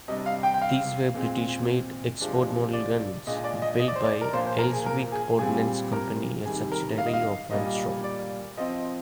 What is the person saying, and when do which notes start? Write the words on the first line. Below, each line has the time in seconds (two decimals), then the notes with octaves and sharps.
These were British-made export-model guns built by Elswick Ordnance Company, a subsidiary of Armstrong.
0.08 C3 G3 D4 D#5
0.26 F5
0.43 G5
0.54 G5
0.62 F5
1.14 A#2 G#3 C4
2.21 C3 F3 G#3 D4
2.73 D5
3.27 A#2 G#3 D4 D#5
3.44 D5
3.62 D#5
3.79 D#5
3.88 D5
3.95 C5
4.04 D5
4.21 A#4
4.33 A#2 F3 A#3 D4 C5
4.47 C5
4.59 A#4
4.73 G#4
4.86 A#4
5.12 G#4
5.39 A#2 G3 C4 G#4
5.92 A#4
6.45 C3 D#3 G3 G#4
6.72 A#4
6.98 F5
7.06 D#5
7.13 F5
7.51 A#2 G3 A#3 D4 D#5
8.04 D5
8.57 F3 C4 D#5